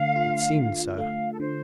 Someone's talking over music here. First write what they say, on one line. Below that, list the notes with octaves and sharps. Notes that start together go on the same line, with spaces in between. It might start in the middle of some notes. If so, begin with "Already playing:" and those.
It seemed so.
Already playing: D3 A3 F5
F4
D3
A3 F5
A4
D3 C5